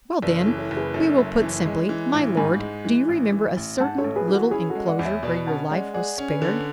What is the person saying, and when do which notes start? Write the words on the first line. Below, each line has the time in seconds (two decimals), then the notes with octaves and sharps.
"Well, then, we will put simply, My Lord, do you remember a certain little enclosure where your life was spared?"
0.22 F#1 B4 D5
0.41 A4 C#5
0.47 E3
0.58 A4 C#5
0.71 F#1
0.77 G#4 B4
0.94 F#2 A4 C#5
1.18 F#1
1.42 E3
1.66 G#3
1.89 E3
2.14 A1
2.37 G#2 G#5 B5
2.60 G#3
2.85 E3
3.09 A1
3.32 E3
3.57 A1
3.80 G#2 F#5 A5
3.98 A4 C#5
4.04 A1
4.16 G#4 B4
4.28 E3
4.34 F#4 A4
4.51 C#4 E4 G#4
4.70 F#4 A4
4.75 G#3
4.87 D5 F#5
4.99 E2
5.05 C#5 E5
5.23 B2 B4 D5
5.47 C#4 F#5 A5
5.70 G#3 D5 F#5
5.94 G#4 D5 F#5
6.18 C#4
6.30 B4 D5
6.42 D3